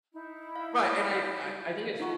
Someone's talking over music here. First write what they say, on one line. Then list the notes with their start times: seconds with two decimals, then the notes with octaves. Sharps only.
Right, and I I I think it's
0.13 D#4 E4
0.56 F5
2.00 D#4 F4 F#5 A#5 C#6